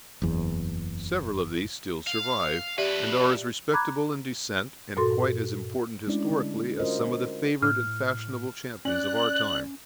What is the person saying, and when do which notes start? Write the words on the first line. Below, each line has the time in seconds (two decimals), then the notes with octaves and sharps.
Several of these still survive, and are as respectable in descent and quite as important historically as some of the favoured and fashionable champions of our time.
0.22 F#1 E2
2.07 F5
2.78 F2 G4 B4 D5 E5
3.73 A#5 B5 D6 F#6 G#6
4.97 G2 A#2 F#4 A4 C6
6.07 G#3 A3 C#4 D4 E4 D5
6.30 D3
6.79 C#4 F4 F#4 A#4 C5 D#5
7.62 A2 F6
8.85 C#4 D5 F#6